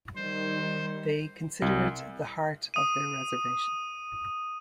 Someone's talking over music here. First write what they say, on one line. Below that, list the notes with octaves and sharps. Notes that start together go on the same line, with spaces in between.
They consider it the heart of their reservation.
D#3 G3 C5
C2
D#6 D#7